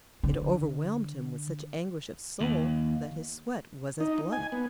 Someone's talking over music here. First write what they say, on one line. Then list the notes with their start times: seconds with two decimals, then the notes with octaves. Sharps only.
It overwhelmed him with such anguish of soul that His sweat was as blood.
0.23 D3
2.41 D#2
4.00 D#4
4.32 G#5
4.52 B3